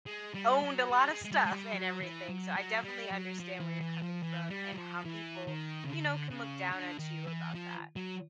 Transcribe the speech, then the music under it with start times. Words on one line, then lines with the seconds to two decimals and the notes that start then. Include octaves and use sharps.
owned a lotta stuff and everything, so, I definitely understand where you're coming from, and how people, you know, can look down at you about that,
0.06 G#3
0.34 G3
0.62 F#3
0.90 G3
1.10 G#3
1.24 G#3
1.31 G3
1.46 G#3
1.52 G3
1.73 F#3
2.01 E3
2.28 F#3
2.56 F#3
2.84 G3
3.11 F#3
3.39 F3
3.60 E3
3.81 E3
4.02 F3
4.23 E3
4.50 G3
4.73 F#3
4.78 F3
5.05 E3
5.47 D#3
5.84 C#3
5.88 D3
6.30 C#3
6.72 D3
6.99 D#3
7.27 E3
7.54 F3
7.96 F#3